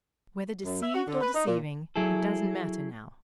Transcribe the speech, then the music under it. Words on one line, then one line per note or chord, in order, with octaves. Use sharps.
Whether deceived or deceiving, it doesn't matter now.
F#2
E5
F#4
D3
B4
D#4
A#2
F#3 E4 G#4 A4